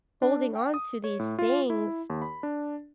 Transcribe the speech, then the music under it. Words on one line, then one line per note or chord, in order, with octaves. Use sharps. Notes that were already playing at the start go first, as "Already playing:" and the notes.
holding onto these things
D4
G5
D#6
C#5
A2
F4
E4
D#2
B5
D4